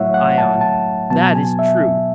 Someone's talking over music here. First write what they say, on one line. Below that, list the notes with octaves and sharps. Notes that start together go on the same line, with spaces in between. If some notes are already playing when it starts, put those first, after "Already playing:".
ION: That is true.
Already playing: A2 F#3 A3 E4 C#5 E5 F#5
F#5
A5
A5
B2 F#3 B3 A5
G#5
E5